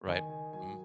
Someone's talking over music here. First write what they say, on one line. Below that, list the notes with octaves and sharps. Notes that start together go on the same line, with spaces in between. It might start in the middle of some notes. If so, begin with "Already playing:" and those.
Right. Mhm.
D#3 G#5
G#5
F#3 G#5